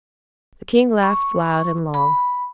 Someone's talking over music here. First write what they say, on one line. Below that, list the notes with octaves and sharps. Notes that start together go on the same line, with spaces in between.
The king laughed loud and long.
C#6
B5